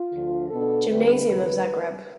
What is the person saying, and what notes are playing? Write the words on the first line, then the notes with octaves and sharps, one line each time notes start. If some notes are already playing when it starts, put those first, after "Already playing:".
Gymnasium of Zagreb.
Already playing: F4
D2 D3 F3
B2 B3 D4 A4
D2 D3 G3 C4 B4
D2 C3 E3 B3